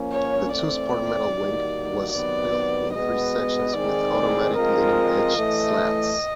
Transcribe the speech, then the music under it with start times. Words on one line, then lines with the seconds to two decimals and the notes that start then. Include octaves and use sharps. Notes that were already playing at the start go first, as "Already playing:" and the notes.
The two-spar metal wing was built in three sections with automatic leading edge slats.
Already playing: F3 A#3 C#4
0.12 C#5
0.52 E3 A3 C4 D5
1.33 D#3 G3 A#3 D#4 F#4
2.12 C3 D#3 F#3 B3 D5
2.93 B2 G#3 B3 D#5
3.73 D#3 G#3 C4 D#4 G#4 D5
4.54 F3 G#3 C4 F4 A#4 D#5
5.35 A2 E3 A3